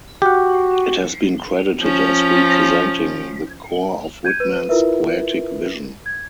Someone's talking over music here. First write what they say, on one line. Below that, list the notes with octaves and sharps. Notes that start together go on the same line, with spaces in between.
It has been credited as representing the core of Whitman's poetic vision.
F#4 G4 F#5
F3 C#4
G6 G#6 D#7
B4 D#7
E4 F4 A#4 B4 E5
G#6